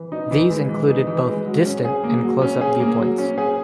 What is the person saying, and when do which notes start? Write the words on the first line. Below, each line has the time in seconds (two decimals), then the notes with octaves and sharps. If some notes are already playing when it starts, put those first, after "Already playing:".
These included both distant and close-up viewpoints.
Already playing: E3
0.12 D#4
0.31 E3
0.50 G#3
0.69 E3
0.88 D#4
1.07 E3
1.27 G#3
1.46 F#3
1.65 C#4
1.85 G#4
2.04 A#3
2.22 F#3
2.42 C#4
2.61 G#4
2.80 A#3
2.99 F#3
3.18 C#4
3.38 G#4